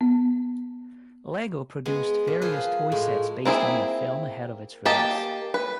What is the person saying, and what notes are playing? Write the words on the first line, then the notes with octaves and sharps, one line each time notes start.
Lego produced various toy sets based on the film ahead of its release.
B3
G#3 B3
A#2
F3 G#4 B4
A2 G#3
A#3 C4 E4 G#4
A#3 G4 D#5 A5
B4